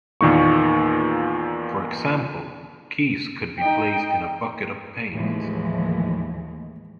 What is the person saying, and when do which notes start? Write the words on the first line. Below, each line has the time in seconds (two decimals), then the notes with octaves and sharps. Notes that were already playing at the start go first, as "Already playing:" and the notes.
For example, keys could be placed in a bucket of paint.
0.21 E2 A#2 D#3 A#3 C#6
3.59 D#4 G5
5.14 D#2 A2 E3 F3 G#3